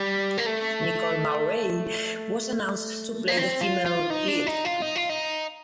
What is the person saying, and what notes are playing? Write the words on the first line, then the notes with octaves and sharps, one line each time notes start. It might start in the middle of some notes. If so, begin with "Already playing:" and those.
Nicole Maurey was announced to play the female lead.
Already playing: G3
A#3
A3
A#3
C4
F4
F4
D#4
D4
D#4
F4
D#4
F4
D#4